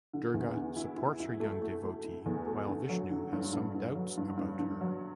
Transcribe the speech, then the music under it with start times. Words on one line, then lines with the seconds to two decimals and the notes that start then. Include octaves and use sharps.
Durga supports her young devotee while Vishnu has some doubts about her.
0.13 D3
0.34 E2
0.56 D3
0.76 E4
0.98 E4
1.20 E4
1.40 A3
1.62 A3
1.83 A3
2.04 E4
2.26 E2
2.46 A3
2.69 D3
2.89 F#3
3.10 D3
3.32 G2
3.53 G2
3.74 G2
3.95 F#3
4.17 G2
4.37 G2
4.59 G2
4.81 F#3